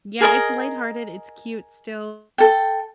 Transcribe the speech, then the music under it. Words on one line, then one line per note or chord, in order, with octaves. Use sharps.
Yeah, it's light-hearted, it's cute still,
G#4 A#4 D#5 A#5
A4 G5